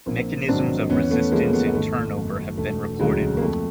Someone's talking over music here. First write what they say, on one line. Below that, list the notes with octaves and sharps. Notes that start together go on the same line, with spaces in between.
Mechanisms of resistance and turnover have been reported.
A#1 A#3 C4
G#2 D#3 F#3 C4 D4
E2 B3 C#4
A3 B3
C#3 F3 G#3 A#3
A3 B3
G#1 A3
F#2 C#3
E1 A3
D2 C#3 F#3 G#3
A#3
F2 A3